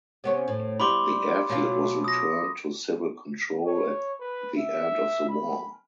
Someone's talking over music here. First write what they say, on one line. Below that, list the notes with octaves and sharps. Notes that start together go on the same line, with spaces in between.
The airfield was returned to civil control at the end of the war.
C3 B3 C#4
A2
G3 B3 E4 B5 C6 D6
B2 F#3 F4
D#6 A#6
C#5
B4
E5
B5